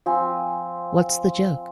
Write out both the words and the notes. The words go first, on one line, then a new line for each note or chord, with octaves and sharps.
What's the joke?
F3 C4 G#5